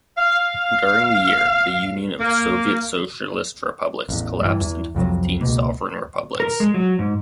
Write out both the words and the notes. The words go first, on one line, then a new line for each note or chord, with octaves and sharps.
During the year, the Union of Soviet Socialist Republics collapsed into fifteen sovereign republics.
F5
A#3
A1 E2
G2 E3
E2 E3
C2 F2 C3 F#3
C#2 B2 A#3
A#4
G#3
F#3
G#2